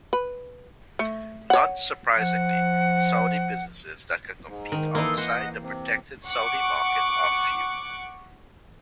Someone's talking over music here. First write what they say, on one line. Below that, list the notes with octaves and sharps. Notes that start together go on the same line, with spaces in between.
Not surprisingly, Saudi businesses that can compete outside the protected Saudi market are few.
B4
A3
C#5 F#5
F3 F#5
G#2
D#3
E3 A#3 D#4 A4 C6
C5 D#5 F#5
C3
F#5 C#6 D6